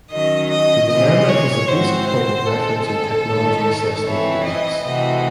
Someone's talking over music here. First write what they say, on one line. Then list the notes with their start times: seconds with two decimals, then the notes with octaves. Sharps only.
The dilemma is a basic point of reference in technology assessment debates.
0.11 D#3 F#3 C#4 D#5
0.50 D#5
0.89 C3 E3 G#3 D#5
1.29 C#5
1.68 G#2 E3 C4 F#4 C5
2.08 C5
2.46 D#3 G#3 C4 A4
2.86 A4
3.26 G#2 D#3 A3 D#4
4.04 E3 C4 E4 C#5
4.44 D#5
4.83 C3 E3 A3 C4 F#4 D#5